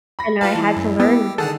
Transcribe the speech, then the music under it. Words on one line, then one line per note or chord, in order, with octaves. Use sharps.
and I had to learn
B5 A#6
F4 B4 F5 A5
E3 E4
F#2
B3 G4 E6
D3 D#3 G#4 A4 F#5 A5